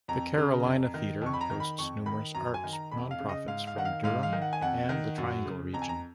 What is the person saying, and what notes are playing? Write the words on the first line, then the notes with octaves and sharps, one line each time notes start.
The Carolina Theatre hosts numerous arts nonprofits from Durham and the Triangle Region.
F2 A#5
C#3
F2
D#3
F2 C#6
B5
A#5
D#3
B5
F2 C#6
D#3 B5
F#2 A#5
G#5
D#3
A#5
F2 B5
F5
C#3
D#5
G#2 F5
F5
D#3 F#5
F5
G#2 F5
F5
D#3
F#5
G#5
F2 F#5
D#3
F#2
C#3
F2 A#5
G#5
A#5